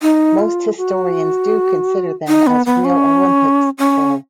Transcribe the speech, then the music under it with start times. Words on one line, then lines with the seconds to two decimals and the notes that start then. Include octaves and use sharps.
Most historians do consider them as real Olympics, though.
0.02 D#4
0.39 F4
0.77 F#4
2.28 D#4
2.47 B3
2.66 B3
2.85 C#4
3.78 C#4